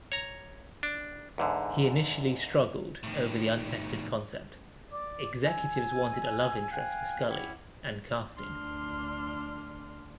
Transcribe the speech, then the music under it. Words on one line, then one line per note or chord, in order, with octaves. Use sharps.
He initially struggled over the untested concept-executives wanted a love interest for Scully-and casting.
C#5 A#5
D4
E2 G#2 D3
A2 D#3
D5 D6
G#5 E6
F5 G5 G#5 F#6
C#4 E4 G4 F#5
D2 D4 C6 F6